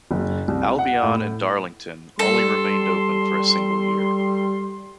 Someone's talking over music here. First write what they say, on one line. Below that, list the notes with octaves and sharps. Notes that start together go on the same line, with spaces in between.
"Albion and Darlington" only remained open for a single year.
F#1
C2
F#5
A2
G3 A4 C6